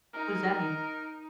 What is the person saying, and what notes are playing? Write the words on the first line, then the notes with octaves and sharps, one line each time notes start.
What does that mean?
D#4 A#4